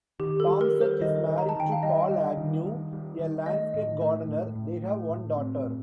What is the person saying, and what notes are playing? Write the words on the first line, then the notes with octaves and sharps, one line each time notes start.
Thomsett is married to Paul Agnew, a landscape gardener; they have one daughter.
D#3 G4
A4
G3
A#4
G3
C5
D#3 D#5
D#3
A#5
A5
D#3 G5
F5
G3 D#5
G3
D#3
D#3
G3
D#3
A3 D#5
A2
A3
A2
A2
A3
A2
C4
A2